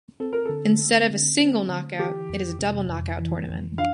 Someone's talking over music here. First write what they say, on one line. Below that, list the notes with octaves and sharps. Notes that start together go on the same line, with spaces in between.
Instead of single knockout, it is a double knockout tournament.
C4 A4
A#4
D3 A4
A3
D3
C4
D3
E3 G4
F2
C3
F2
E3
F2
D4 F5